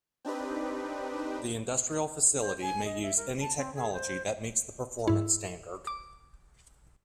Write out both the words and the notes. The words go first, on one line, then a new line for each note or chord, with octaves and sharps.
The industrial facility may use any technology that meets the performance standard.
C4 D4 D#4 G4 B4
C5
G#5
D#5
E5
A#4
A5
C4
G#4
C5
G#2 E4
D6